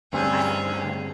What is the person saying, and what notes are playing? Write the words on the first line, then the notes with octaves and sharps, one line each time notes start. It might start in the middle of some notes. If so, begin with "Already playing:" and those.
I have not.
D2 G2 C4 C#4 G#4